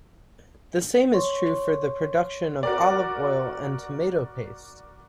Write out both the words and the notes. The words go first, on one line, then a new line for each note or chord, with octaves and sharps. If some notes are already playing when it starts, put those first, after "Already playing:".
The same is true for the production of olive oil and tomato paste.
C#5 C6 C#6
F#4 A#4 D5